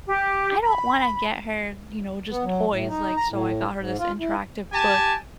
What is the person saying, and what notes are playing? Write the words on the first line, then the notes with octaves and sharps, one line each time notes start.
"I don't wanna get her, you know, just toys, like" so, I got her this interactive book
G4
B5
B3
F#3
A2
D#4
A#5
A2
G#2
F4
E4
G4 G#5 A5